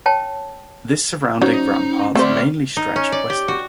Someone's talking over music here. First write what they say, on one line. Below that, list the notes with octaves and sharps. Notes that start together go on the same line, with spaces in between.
This surrounding rampart mainly stretched westward.
C#5 G5 A5
F#3 C#4 D#4 C5 D5
A3 C4 C5 D5
D#4
C#4
D5
G4
F#4